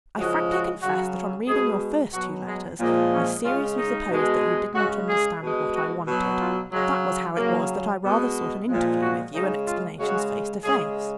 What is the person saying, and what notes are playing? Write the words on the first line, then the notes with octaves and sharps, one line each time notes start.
I frankly confess that on reading your first two letters I seriously supposed that you did not understand what I wanted; that was how it was that I rather sought an interview with you and explanations face to face.
C#3 F3 G#3 F#4
F#4
C#3 F#3 F#4
B2 G#3 G#4
B2 F#3 F#4
G#3
A#2 F3 G#3 A#3
C#4
C#3 G#3 F4
D#4
B2 G#3
C#3 G#3 F#4
G#4
B2 G#3
F#4
B2 F#3
F4
C#3 F#3 G#3
C#3 F#3 A#3
B2 G#3 B3
A#2 F3 G#3
F#4
C#3 G#3 D#4
F4
C#3 G#3 F#4
C#3 G#3 G#4